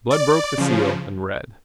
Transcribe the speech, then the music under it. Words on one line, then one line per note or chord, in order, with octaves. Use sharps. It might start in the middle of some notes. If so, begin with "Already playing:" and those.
Blood broke the seal, and read.
D5
C#3 F3